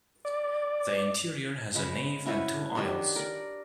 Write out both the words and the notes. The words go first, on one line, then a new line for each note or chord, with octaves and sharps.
The interior has a nave and two aisles.
D5
C#3 G#3 B5
C#4 E4 F#4 B4
D#3 F#3 D4 G4
A#4 D5